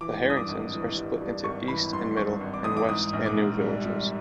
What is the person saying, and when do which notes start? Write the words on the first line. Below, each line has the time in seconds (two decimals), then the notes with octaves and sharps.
"The Herringtons" are split into "East and Middle" and "West" and "New" villages.
0.01 E3 D6
0.24 G2
0.30 D#6
0.37 D6
0.49 G#1
0.73 E3
0.97 G3
1.21 G3
1.44 G#1 C#6
1.68 E3 B5
1.93 G2 C6
2.17 G2 C#6
2.41 G#1
2.54 D6
2.64 E3 D#6
2.77 D6
2.89 G#2 D#6
3.13 A#1
3.26 D6
3.37 G#2
3.61 G3
3.86 G3